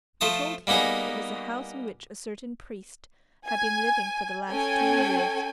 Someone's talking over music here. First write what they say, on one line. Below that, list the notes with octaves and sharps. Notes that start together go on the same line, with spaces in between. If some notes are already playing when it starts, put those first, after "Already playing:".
They told him it was a house in which a certain priest had been living for the last two years.
F3 A3 C5 A5 D#6
G3 A#3 B3 D#4 G#4
G#5
C#4 A4 G5 G#5